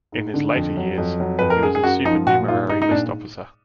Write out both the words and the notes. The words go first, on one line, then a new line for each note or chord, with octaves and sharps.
In his later years he was a supernumerary list officer.
G#2
D3
F2
F#3
F2
F#3
F2 B4
A#4
F#2 G#4
G#4
F#2 F#4
F3 D#4
A#2 F#4
G#2 F4
G#2 D#4
D#4
A#2 D4